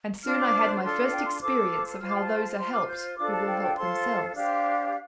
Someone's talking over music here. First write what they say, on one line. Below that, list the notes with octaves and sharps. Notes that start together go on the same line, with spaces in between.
And soon I had my first experience of how those are helped who will help themselves.
D4 F4 C5 F6
D6
D4 F4 A4 C6
G5
C6
F4 A4 C5 D6
F4 C5 F6
D6
G5
A5
F4 C5 C6
D6
G6
D4 F4 A4 C5 D6
A5
G5
G5
F4 A4 C5 C6
D4 G4 C5 F5